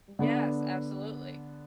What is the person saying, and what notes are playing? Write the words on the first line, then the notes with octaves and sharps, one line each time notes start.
Yes, absolutely.
D3 B3 D4